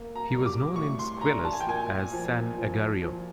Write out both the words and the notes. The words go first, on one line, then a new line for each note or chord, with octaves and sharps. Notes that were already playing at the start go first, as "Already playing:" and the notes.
He was known in Squillace as "San Agario".
Already playing: A#3
A#5
G3
D6
A2 C#6
C6
D4 A#5
A5
G#5
G5
A#2 G#5
F3
F3
F3